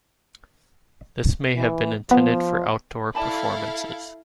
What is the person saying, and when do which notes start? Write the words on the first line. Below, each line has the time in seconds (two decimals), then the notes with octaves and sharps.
This may have been intended for outdoor performances.
1.57 E3
2.11 F3 B3
3.15 E4 A4 D5 F5 A5 B5